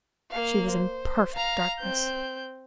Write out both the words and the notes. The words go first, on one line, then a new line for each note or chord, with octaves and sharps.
She was in perfect darkness.
A#3 F5
C5
F5 A#5
C4 G6